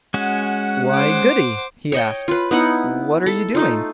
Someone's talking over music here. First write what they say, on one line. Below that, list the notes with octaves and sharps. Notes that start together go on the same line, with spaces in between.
'Why, Goody!' he asked, 'what are you doing?'
G#3 C#4 F#4 F#5
C5 D6
C#5 D#5 G5
F4 B4
B3 D#4 E4 F#5
A4
A3 D#4 F4